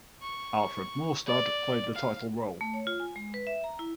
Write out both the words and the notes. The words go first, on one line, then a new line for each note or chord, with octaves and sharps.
Alfred Maurstad played the title role.
C#6
D5
F5
A3
C#5
F4
G#5
G#3
B4
E5
A#5
E4